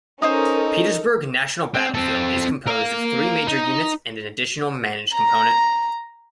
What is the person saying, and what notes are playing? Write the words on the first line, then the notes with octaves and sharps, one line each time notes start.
Petersburg National Battlefield is composed of three major units and an additional managed component.
C#4 D#4 A4 A#4 C5 D#5 A#5 D#6
C4
C4 A4
A#4 F5
D#4
A#5